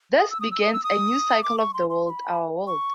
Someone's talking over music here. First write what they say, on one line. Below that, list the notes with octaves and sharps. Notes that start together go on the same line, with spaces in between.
Thus begins a new cycle of the world: our world.
D#6
E6
D#6
E6
D#6
E6
D#6
D6
C#6
C6
C6
C6
B5
C#6